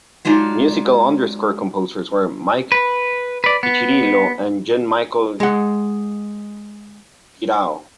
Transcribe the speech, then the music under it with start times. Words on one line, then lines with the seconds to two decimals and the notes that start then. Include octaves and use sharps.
Musical underscore composers were Mike Piccirillo and Jean-Michel Guirao.
0.25 F#3 G#3 D4 D#4 F4
2.72 B4
3.44 B4 D5
3.63 B3
5.40 G#3 F#5